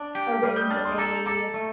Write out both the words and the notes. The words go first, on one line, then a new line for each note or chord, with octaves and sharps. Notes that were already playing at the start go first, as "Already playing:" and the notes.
arrange a,
Already playing: D4
G4
G3 D6 F6
D#6 G6
D4 F6 A6
C6 D#6
A4 A#5 D6
A4 A#5 D6
A3